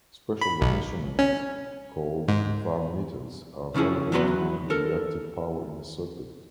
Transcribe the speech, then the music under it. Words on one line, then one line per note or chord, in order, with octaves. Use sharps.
Special instruments called "varmeters" are available to measure the reactive power in a circuit.
B5
B1
C#4
G#2
C#3 F3 C#4 E4 G#4
E2 F#3 B3 F#4 B4 C6
A4 A#4